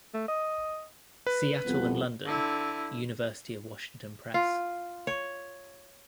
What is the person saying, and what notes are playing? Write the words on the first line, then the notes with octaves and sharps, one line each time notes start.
Seattle and London: University of Washington Press.
A3
D#5
B4
C2 F2 B3
D3 E4
F4
C#5